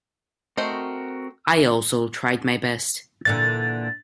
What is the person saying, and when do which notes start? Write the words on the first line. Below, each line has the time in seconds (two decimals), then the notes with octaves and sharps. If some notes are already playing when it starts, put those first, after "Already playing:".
I also tried my best.
0.57 A3 C4 F#4 A#4 C5 D#5
3.25 A#2 D3 E3 A6